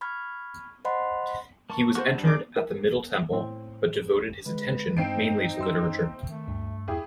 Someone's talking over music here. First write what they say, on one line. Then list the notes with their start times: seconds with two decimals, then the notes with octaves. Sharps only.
He was entered at the Middle Temple, but devoted his attention mainly to literature.
0.01 B5 C#6 F6 G#6
0.85 C5 D#5 F#5 B5 C6
1.70 A#3 A5 C#6
1.95 A#3 F#4 C5 C#6 F#6
2.07 G3 C4 D4
2.23 G#4 D5 D6
2.56 A#4
3.31 A2 C4
4.46 D3 G#3 B4
4.97 G2 C4 D#4 C7 D7
5.59 F#2 E5 C6 E6
6.28 D#3 A3
6.48 D2 G2
6.88 E2 E4 G4 G#4